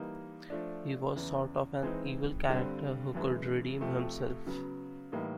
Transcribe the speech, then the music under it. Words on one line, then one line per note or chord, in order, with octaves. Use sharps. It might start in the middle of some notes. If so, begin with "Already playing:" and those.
He was sort of an evil character who could redeem himself.
Already playing: E3 G3 A#3 D#4
F3 A3 D4
E2 C#3 E3
E3 G#3 C4 D#4
G2 D3 G3 C4
F#2 C#3 E3 G#3
F2 C3 F3 A3
C#3 F#3 B3
A2 E3 G3 A#3 D#4